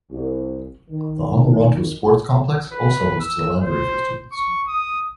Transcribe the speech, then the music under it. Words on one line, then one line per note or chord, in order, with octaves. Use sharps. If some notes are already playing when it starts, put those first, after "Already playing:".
The Amoranto Sports Complex also hosts a library for students.
C2
D#3
B4
E6
C5
C#6
D#6